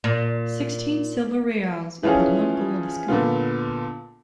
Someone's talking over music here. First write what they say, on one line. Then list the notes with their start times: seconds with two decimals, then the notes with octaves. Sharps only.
Sixteen silver reales equalled one gold escudo.
0.04 A#2
2.03 E3 F3 C#4 F4 G#4
3.08 A#2 D3 B3 F4